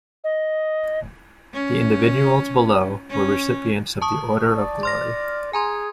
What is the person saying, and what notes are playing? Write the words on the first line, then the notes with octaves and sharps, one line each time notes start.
The individuals below were recipients of the Order of Glory.
D#5
C#4
C#4
A5 C#6 D#6
D5
C6 F6 A#6
G#4 G#5 A#5 C6